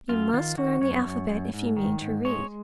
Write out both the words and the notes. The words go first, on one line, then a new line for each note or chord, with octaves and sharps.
You must learn the alphabet if you mean to read.
F#2 F4
D#3 F4
D#3 F#4
F#2 C#5
F#2
F#2
G#2
D#3
G#2
G#3 C#5